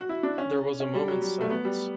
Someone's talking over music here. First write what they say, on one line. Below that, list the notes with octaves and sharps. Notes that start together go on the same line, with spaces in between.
There was a moment’s silence.
F#4
E4
D4
C#4
C#4
G3
F#3
G3
A3
B3
G3